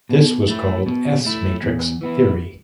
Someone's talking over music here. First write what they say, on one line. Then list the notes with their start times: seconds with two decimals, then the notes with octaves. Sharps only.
This was called S-matrix theory.
0.09 B2
0.48 A3 E4
0.86 B2
1.25 A3 E4
1.63 E2
2.01 E3 B3 E4